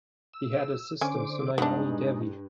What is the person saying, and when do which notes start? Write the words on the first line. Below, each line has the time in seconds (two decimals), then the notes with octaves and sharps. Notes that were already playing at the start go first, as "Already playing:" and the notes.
He had a sister, Sunayani Devi.
0.34 E6
1.01 D3 C#4 C5 G#5 D6
1.58 G2 G#3 B3 D4 D#4